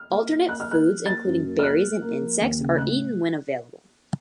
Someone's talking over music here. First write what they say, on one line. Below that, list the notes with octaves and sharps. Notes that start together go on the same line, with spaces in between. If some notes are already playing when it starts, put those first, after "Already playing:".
Alternate foods, including berries and insects, are eaten when available.
Already playing: F6
A#3
A#3
A#3 F#6
F6
A#3 F#6
F3
A#3 A6
F#2
A#3
F6
A#3 F#6
A#3
A#3
F3
D#2
C#3
A2 F#6